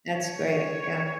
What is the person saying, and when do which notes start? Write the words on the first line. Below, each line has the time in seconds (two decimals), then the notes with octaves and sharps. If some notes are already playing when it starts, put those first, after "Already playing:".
That's great, yeah.
0.15 C#5